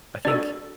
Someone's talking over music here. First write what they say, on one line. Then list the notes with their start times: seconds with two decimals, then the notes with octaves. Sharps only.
I think
0.25 D4 F#4 A4 D5